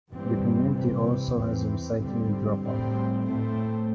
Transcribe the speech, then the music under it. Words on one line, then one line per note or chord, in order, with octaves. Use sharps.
The community also has a recycling drop off.
G2 E3 G3 C4
C3 E3 G3 C4
E2 E3 C4
G2 D3 G3 C4
A2 G3 C4
A2 A3 C4